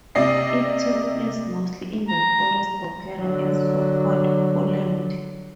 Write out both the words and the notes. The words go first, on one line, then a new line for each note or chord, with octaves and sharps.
It took place mostly in the Forest Opera in Sopot, Poland.
C3 D5 D#5 C7
A#5
D3 F#3